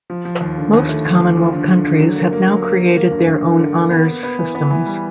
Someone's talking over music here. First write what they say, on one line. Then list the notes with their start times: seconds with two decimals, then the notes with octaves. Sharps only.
Most Commonwealth countries have now created their own honours systems.
0.10 F3
0.25 F3
0.41 D#2
0.57 D3
0.74 D#2
0.89 A3
1.05 F3
1.21 D#2
1.37 F3
1.53 D3
1.68 D3
1.85 D3
2.00 F#3
2.16 A#3
2.33 A#3
2.48 F#3
2.63 A#3
2.80 A#3
2.96 A#3
3.11 G2
3.28 G2
3.44 A#3
3.59 D3
3.75 A#3
3.91 B3
4.08 B3
4.23 B3
4.39 E3
4.55 B3
4.70 E3
4.86 G3